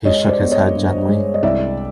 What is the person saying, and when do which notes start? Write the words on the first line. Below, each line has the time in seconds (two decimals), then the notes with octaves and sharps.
He shook his head gently.
0.05 G#3 C#5 D#5
0.28 C5 D5
0.40 B3
0.51 C#5 D#5
0.75 G2
1.08 G#3
1.34 D#5
1.43 C2 D5 E5